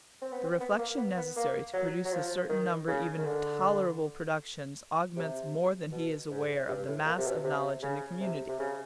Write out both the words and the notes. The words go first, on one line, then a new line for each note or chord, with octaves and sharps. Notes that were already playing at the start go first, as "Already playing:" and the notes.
The reflection necessary to produce a certain number even of tolerable productions augments more than he is aware of the mass of knowledge in the community.
C4
B3
C4
B3
A#3
B3
B3
A#3
F#3
F#3
F3
D#3
C#3
D#3
D3
C3
B2
G#2
G2
A2
A#2
C3
B2
C3
C#3
C3
C3
C#3